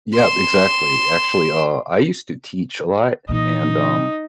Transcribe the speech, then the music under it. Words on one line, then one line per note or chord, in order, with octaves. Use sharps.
Yup, exactly. Actually, uh, I used to teach a lot, and, um,
C6 E7
A#2 E3 D#4 D#5